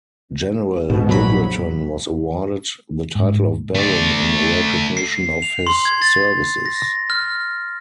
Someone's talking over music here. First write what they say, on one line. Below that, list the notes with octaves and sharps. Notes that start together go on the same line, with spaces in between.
General Dubreton was awarded the title of baron in recognition of his services.
G#2 B2
A#1 F#3 B5
G#2
A3 D5
C7
F7
C6
G#6
A6
A#6
F6